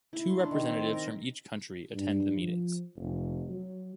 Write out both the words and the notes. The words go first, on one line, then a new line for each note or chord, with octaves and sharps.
Two representatives from each country attend the meetings.
E4
C6
D4
D#3
C4
A#4
G2
F3
F1
F#3